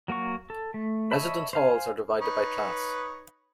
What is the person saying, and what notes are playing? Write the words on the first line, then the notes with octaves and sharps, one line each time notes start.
Residence halls are divided by class.
F#3 A#3 F#4 C#6
A4
A3
C#5 D#5 E5 A5 B5
C5 F5 G#5
D#4 B4 C#5